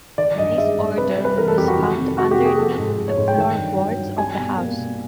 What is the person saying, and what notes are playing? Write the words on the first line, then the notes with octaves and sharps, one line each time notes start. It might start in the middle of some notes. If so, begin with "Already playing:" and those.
This order was found underneath the floorboards of the house.
D#3 D5
G2 D#5
G#3 E5
G2
C3 B4
G3
B4
E3 A#4
A4
F2 G4
F#4
D#3
C3
G#3 F#4
G4
C3
G#4
F3 A4
G#2
G#3
C#5
G#2
G5
D#3
G2
F#3
G2
G3 G#5
B2
A#3
B2